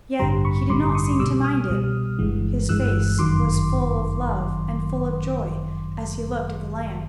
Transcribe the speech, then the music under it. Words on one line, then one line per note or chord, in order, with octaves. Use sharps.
Yet he did not seem to mind it; his face was full of love and full of joy as he looked at the lamb.
A1 G2 D3 G3 A#5 C6
B5 C#6
A1 G2 D3 G3 C6 D6
C#6 D#6
C2 B2 G3 D6 E6
D#6 F6
C2 B2 G3
G1 G2 E3 G#3
G1 G2 E3 G#3 E6 F#6
G1 F#2 D#3 F#3 C6 D6